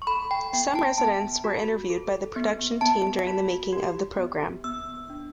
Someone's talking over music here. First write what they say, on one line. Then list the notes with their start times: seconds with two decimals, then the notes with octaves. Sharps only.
Some residents were interviewed by the production team during the making of the programme.
0.02 C#6
0.07 A4 B5
0.31 G5
0.53 B3 G5
0.75 A5
0.98 B3 A5
1.44 F#4
1.90 A4
2.36 B3
2.81 B3 A5
3.27 F#4
3.73 G4
4.18 B3
4.64 B3 E6
5.10 D4